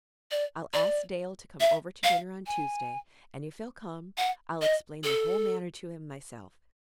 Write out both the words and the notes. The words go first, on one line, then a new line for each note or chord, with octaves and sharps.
I'll ask Dale to come over to dinner on Tuesday; and if he'll come, I'll explain the whole matter to him myself.
D5
D5
E5
F5
G#5
F#5
D#5
A4